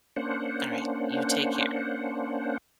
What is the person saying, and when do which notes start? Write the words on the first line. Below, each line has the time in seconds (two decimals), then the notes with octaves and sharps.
Alright, you take care.
0.16 A#3 C#4 D4 C5 F#5